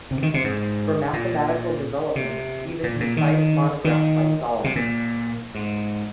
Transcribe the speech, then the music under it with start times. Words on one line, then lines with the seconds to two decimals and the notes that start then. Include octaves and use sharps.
For mathematical development see the concise monograph by Solomon.
0.11 C3
0.23 D#3
0.34 C3
0.44 G#2
1.13 A#2
2.15 C3
2.83 A#2
3.00 A#2
3.17 D#3
3.84 D#3
4.64 C3
4.76 A#2
5.55 G#2